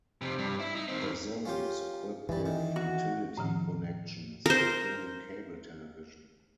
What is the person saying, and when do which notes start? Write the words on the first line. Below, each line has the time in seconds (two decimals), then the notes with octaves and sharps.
The zone is equipped with utility connections, including cable television.
0.21 F2 C3
0.38 G2
0.60 E4
0.75 D#4
0.88 D#3 C4
1.45 C#4 F4 G4
2.29 G2 E3 G3
2.46 D#3
2.76 F#4
3.38 A2 D#3 F3
4.46 A#4 C5